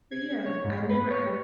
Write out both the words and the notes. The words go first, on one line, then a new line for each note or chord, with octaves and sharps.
But, yeah, I never I
G#6
C#5
G#2
B4
C#5
G3